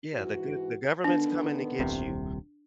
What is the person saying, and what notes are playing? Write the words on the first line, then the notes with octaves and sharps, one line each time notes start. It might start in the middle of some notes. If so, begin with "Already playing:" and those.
Yeah, the the go the government's coming to get you
G#2 E3 F#4
D3 D#3 B3 D4
D#1 C2 C3